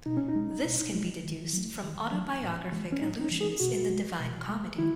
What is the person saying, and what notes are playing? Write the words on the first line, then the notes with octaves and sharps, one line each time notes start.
This can be deduced from autobiographic allusions in the Divine Comedy.
B2 D#4
C#4
D#4
G#3
B2
G#3
D#3
F#3 A3
D#3
F#3 A3
A2
E3 G#3
C#4
A2 D#4
D#4
E3 G#3
G#4
B2 F#4
G#3
B2
G#3
D#3 E4